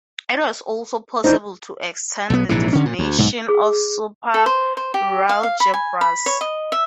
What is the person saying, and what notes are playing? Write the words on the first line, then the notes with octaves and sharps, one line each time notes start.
It is also possible to extend the definition to superalgebras.
E3 D4 D#4 C5
B1 B3
A#1 G#2 C3 E3
D3 C#4
A#2
D2
B1 G#2
G#4
A4
C5
C5
G4
F5
F5
B5
G#5
B5
C#5
D#5
E5